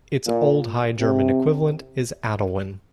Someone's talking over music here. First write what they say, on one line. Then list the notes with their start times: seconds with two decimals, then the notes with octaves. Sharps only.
Its Old High German equivalent is Adalwin.
0.26 A#2
1.00 C3